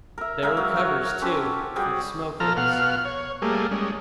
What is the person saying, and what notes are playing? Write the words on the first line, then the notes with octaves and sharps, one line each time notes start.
There were covers, too, for the smoke-holes.
A#4 E5
G#3 A#4 E5 F5
F#3
F#4 A#4 C#5
C#4 G4 A4 C5
G3 F#4 G#4 G5
F3 A4 A#5 F6
B2 F5 F#5 F6
C#5
G3 A3 A#3 G#4
G3 G#3 C#4